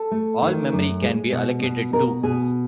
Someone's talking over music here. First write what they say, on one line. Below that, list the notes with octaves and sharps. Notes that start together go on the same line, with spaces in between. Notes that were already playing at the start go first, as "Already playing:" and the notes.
All memory can be allocated too.
Already playing: A4
A3
D#3
F#2
G#3
B2
B2
B2 A#4
B2 G#4